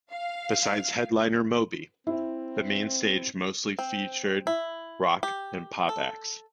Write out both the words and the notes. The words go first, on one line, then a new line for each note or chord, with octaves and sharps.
Besides headliner Moby, the main stage mostly featured rock and pop acts.
F5
C4 E4
C4
E4
G4
A4